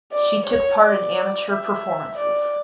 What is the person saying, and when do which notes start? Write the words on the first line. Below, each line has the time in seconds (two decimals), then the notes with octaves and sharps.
She took part in amateur performances.
0.13 D5
0.46 C#5
0.81 D5
1.50 E5
2.18 D5